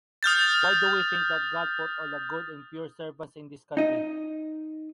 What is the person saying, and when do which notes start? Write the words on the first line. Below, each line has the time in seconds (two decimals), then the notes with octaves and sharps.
Why do we think that God put all the good and pure servants in this country?
0.23 D#6 F6 G6 A6
3.77 D#4 D#5